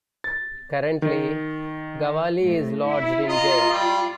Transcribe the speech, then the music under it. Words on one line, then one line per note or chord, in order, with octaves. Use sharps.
Currently, Gawali is lodged in jail.
A6
D#3
A2
E4
F4 D#5 A#5
G3